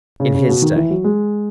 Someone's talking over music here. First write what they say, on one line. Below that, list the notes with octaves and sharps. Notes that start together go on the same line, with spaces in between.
In his day!...
C#3
C#3
B2
D#3
E3
F#3
G#3